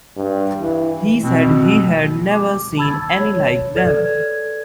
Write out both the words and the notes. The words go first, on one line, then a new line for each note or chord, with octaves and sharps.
He said he had never seen any like them.
G2
E3
B2 C4
D6
A5 B5 E6 G#6 A6
C#5
A4 B4 D5 F6 G#6